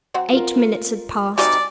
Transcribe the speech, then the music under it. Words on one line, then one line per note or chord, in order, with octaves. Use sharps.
Eight minutes had passed.
F#3 C4 F#5
F4 A#4
C3 D#3 G3 F#4 G4 D5 G#5